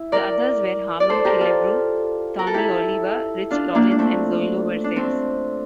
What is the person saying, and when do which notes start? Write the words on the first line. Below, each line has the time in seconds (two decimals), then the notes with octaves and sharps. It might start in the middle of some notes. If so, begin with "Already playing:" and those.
The others were Harmon Killebrew, Tony Oliva, Rich Rollins and Zoilo Versalles.
Already playing: E4
0.12 A#4 D5
1.00 D5
1.10 A4 C5
1.25 G4 A#4
1.41 F4 A4
2.39 A#4
2.47 A4
2.54 E4 G4
3.51 D4 F4
3.75 A#3 D4
3.91 D4
3.99 A3 C4
4.84 D4
4.96 A3 C4